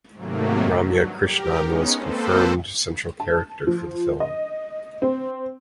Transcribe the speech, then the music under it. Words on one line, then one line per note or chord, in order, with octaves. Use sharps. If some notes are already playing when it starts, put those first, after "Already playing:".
Ramya Krishnan was confirmed central character for the film.
G#2 C3 D#3 F#3 A3 A#3
G2 F#3
G4 A#4
G#3 B3 C#4 D#4
A#3 C4 A4 B4 C5
A5
F3
D#5
C4